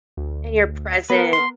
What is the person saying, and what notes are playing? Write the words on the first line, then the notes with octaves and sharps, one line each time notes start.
And your present.
D2
B3 A#4 B4
C6